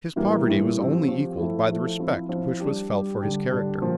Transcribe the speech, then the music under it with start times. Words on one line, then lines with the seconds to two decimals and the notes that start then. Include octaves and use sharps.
His poverty was only equalled by the respect which was felt for his character.
0.16 A2 E3 G3 A#3
0.46 A2 E3 G3 A#3
0.78 F3 C4 G4
1.07 F3 C4 G4
1.38 F3 A3 E4
1.68 F3 A3 E4
1.99 F3 C4 E4
2.29 F3 C4 E4
2.60 G3 D4 G4
2.89 G3 D4 G4
3.21 D3 G3 D4 G4
3.51 D3 G3 D4 G4
3.82 A#2 F3